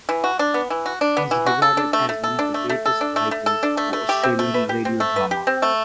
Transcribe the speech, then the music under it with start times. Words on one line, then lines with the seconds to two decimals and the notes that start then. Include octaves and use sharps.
He is regarded as one of the greatest writers for Australian radio drama.
0.09 E3
0.24 F#4
0.39 D4
0.54 B3
0.70 E3
0.86 F#4
1.01 D4
1.17 B3
1.31 E3
1.46 F#4
1.62 A4
1.77 D4
1.93 A3
2.09 A3
2.23 A4
2.39 D4
2.54 A3
2.69 A3
2.86 A4
3.01 D4
3.16 A3
3.31 A3
3.46 A4
3.63 D4
3.77 A3
3.93 A3
4.09 G4
4.23 C4
4.39 A3
4.54 B4
4.69 G4
4.85 C4
5.00 A3
5.16 B4
5.31 G4
5.47 C4
5.62 A3